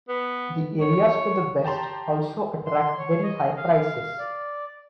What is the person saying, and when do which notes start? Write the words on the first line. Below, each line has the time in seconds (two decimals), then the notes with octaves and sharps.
The areas to the west also attract very high prices.
0.08 B3
0.80 C#5
1.64 G4 A5 A#5 C6
2.66 C6
2.98 C#5
3.23 D#5
3.57 F5
4.19 D5